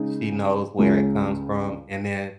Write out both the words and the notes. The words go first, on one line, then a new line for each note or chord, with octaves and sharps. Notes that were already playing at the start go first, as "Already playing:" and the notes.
she knows where it comes from, and then
Already playing: C#3 G#3 D#4 G#4
C#2 C#3 G#3